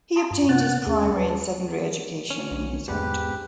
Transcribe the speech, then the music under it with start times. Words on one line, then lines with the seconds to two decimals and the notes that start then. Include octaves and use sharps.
He obtained his primary and secondary education in his hometown.
0.16 A5 A#5 C6 D#6
0.31 G2 F4
0.49 C3 B3 F#5 F#6 A6
0.86 D#2 C#4 G#4
1.16 B4 A5
2.30 C#4
2.51 B1
2.88 E2 G#2 G4 B4